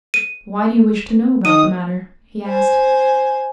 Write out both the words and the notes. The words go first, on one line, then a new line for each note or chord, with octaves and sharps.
"Why do you wish to know about the matter?" he asked.
D#7
D#3 D#6 D#7
C5 G#5